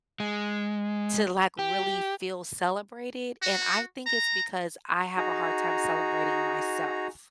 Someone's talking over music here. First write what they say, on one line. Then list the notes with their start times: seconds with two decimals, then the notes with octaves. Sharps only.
to, like, really feel celebrated? And I think it's because I have a hard time celebrating myself.
0.20 G#3
1.59 G4
3.42 F#4
4.06 A#5
5.18 D#4 F#4 G#4 A#5